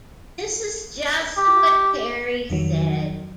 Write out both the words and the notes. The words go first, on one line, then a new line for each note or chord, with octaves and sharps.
This is just what Perry said.
G4
F2 D#3 F#3